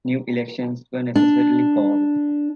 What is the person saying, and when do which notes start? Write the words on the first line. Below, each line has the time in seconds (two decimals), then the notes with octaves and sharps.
New elections were necessarily called.
1.16 D4